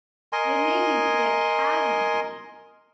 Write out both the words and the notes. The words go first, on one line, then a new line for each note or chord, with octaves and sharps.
They made me pay a cabin fee!
A#4 D#5 G#5 C6